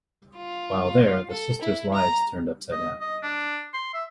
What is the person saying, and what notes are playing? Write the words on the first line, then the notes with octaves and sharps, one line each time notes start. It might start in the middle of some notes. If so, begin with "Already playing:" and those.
While there, the sisters' lives turn up-side down.
F4
A4
E4
A#5
D#5
D#5
D4
C6
E5